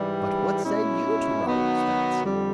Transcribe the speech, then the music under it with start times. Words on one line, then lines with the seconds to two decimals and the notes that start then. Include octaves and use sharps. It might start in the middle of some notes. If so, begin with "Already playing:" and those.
"But what say you to Raoul's fancy?"
Already playing: G#2 E3 G3
0.63 B2 G#3 C#4 E4
1.44 D#3 F#3 B3 D#4 F#4
2.24 F2 D3 G3